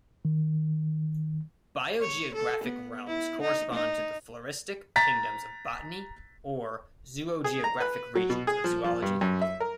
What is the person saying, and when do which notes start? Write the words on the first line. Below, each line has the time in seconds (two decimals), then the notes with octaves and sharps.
Biogeographic realms correspond to the floristic kingdoms of botany or zoogeographic regions of zoology.
0.25 D#3
2.01 C#5
2.35 A4
2.64 B3
3.07 E4
3.41 D#4
3.72 D#4
4.96 A#5 A6 B6
7.44 G#4
7.64 A#5
7.80 B4
8.15 F#3
8.30 B2
8.47 G#4
8.64 F3
8.84 F3
9.02 G2
9.21 F#2
9.42 E5
9.60 A#4